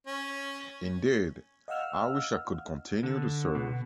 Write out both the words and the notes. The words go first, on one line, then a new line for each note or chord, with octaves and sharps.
Indeed, I wish I could continue to serve.
C#4
D#5 F5 F#5 E6 F6
D3
B2